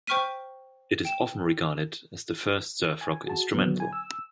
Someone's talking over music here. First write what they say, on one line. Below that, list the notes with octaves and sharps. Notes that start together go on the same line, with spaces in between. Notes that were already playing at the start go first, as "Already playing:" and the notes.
It is often regarded as the first surf rock instrumental.
C5 G5 C#6 F6 B6 D#7
G5 E7
G#5
F#4 G#4 A5
A#2 D3 F#3 B3
G#5
E6